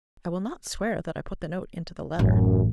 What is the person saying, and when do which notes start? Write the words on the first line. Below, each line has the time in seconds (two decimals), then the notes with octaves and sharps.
"I will not swear that I put the note into the letter."
2.19 A1 F#2